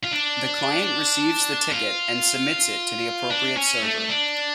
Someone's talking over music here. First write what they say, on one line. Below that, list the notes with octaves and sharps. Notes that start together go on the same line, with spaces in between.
The client receives the ticket and submits it to the appropriate server.
F4
D4
F4
D4
C#4
A3
D4